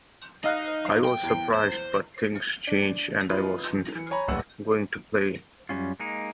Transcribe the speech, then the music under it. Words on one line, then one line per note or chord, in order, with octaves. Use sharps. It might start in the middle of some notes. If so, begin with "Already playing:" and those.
I was surprised but things change and I wasn't going to play.
D#4 D#5 F5 F#6
G5
E2
C5
D4
D#4 F4 B4
E3 C#7
C#5 G#5 A#5 B5
D1 A#1 G2 B4 F#5 E6
F#2 C3 G3 C#4 F4
G#3 A#3 D#4